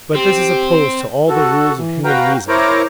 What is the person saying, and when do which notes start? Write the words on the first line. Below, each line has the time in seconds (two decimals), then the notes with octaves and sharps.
But this is opposed to all the rules of human reason.
0.15 C4 G4
1.29 F#4 A4
1.78 E3
2.04 F#4 B4 F5 G5 A#5
2.48 E4 A#4 C5 C#5 A#5 D6